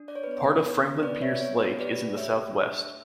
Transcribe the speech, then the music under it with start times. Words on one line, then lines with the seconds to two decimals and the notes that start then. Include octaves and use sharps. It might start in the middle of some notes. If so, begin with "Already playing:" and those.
Part of Franklin Pierce Lake is in the southwest.
Already playing: D4
0.08 D5
0.16 C#5
0.24 B4
0.27 B3 C#5
0.65 B3
1.03 B3 B4 D5
1.21 C#5 E5
1.41 B3 C#5
1.60 C#5
1.79 G4 B4 D5
2.17 A3 C#5 E5
2.55 D4